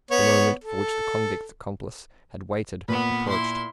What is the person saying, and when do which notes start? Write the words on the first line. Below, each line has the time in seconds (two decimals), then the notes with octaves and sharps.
The moment for which the convict's accomplice had waited approached.
0.11 B3 C#5
0.64 A4
2.88 A#2 B3 B4
3.29 E4 C6